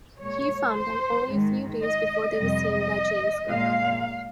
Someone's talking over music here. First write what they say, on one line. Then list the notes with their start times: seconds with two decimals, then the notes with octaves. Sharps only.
He found them only a few days before they were seen by James Cook.
0.19 A#2 G#3 C#5
0.74 C5
1.29 G#2 D#3 G#3
1.83 D#5
2.38 F2 C3 G3 D#5
3.48 A#2 G#3 F5